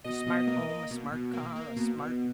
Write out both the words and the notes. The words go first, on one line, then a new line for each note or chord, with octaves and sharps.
A smart home, a smart car, a smart
B2 D#5
B2
A#3
A#3
B2
B2
A#3
A#3
B2
B2